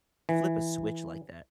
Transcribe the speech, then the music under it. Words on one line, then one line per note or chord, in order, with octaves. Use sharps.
flip a switch like that.
E3